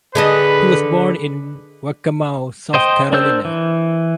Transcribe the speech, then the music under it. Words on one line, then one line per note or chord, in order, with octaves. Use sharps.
He was born in Waccamaw, South Carolina.
D3 G#4 A4 B4 D#5
C5 D#5 G5
D4 A#4 C5 E6 G6
E3